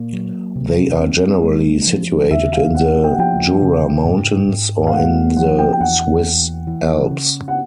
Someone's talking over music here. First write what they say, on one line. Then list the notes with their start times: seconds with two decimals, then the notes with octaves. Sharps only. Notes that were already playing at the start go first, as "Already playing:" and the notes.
They are generally situated in the Jura Mountains or in the Swiss Alps.
Already playing: A#2 A#3
0.13 F#3
0.56 C3
1.00 C4
1.43 G#3
1.87 F3
2.31 D#2 E5
2.53 F5
2.75 A#3 F#5
3.04 G5
3.12 F#5
3.18 F3 G5
3.62 C#3
4.05 G#2
4.49 G#2
4.87 F5
4.93 A3 F#5
5.36 F3 F#5
5.59 G5
5.73 G5
5.81 E2 F#5
6.24 E2
6.67 E3
7.11 C#3
7.48 F#5